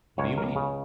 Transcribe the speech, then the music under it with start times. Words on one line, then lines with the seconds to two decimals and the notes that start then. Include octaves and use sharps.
"What do you mean?"
0.18 C#2 C#5
0.38 A#4
0.56 C#3